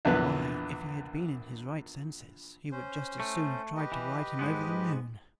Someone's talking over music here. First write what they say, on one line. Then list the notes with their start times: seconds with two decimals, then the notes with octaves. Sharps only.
Why, if he had been in his right senses he would just as soon have tried to ride him over the moon.
0.05 A#1 E2 D3 E3 B3 B4
2.72 C#4 C5
3.20 A3
3.77 G4 B4 D#5
3.92 E3
4.39 G#2 G#3 B3